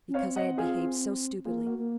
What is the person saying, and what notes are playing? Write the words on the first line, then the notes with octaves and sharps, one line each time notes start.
"Because I had behaved so stupidly."
C#4
C4 C#5 F5
D#5 F#5
F4 G#4
A#3 F4 G#4
F#4
A#3